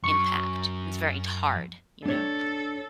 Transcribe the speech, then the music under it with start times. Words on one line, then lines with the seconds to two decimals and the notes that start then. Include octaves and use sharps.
impact, it's very d hard, you know?
0.04 F#2 C#6
2.05 D4 A4 C#5